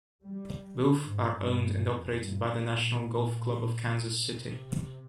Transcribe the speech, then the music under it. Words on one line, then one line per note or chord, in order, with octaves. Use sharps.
Both are owned and operated by the National Golf Club of Kansas City.
G3
D3
G#2
G2
F2
G2
A#2
C3